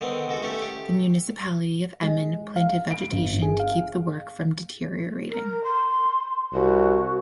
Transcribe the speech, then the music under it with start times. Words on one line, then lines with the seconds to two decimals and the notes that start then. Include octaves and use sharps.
The municipality of Emmen planted vegetation to keep the work from deteriorating.
0.01 D3 D#3 B3 C4
0.28 C#2 G#3 F#4 A4
0.42 A3 C#4 G4 A4
0.62 G4
2.02 G#3
2.56 F5
2.91 D7
3.12 G1
3.42 G#4
3.60 F5
5.30 A#4
5.64 C6
6.53 C2 F#4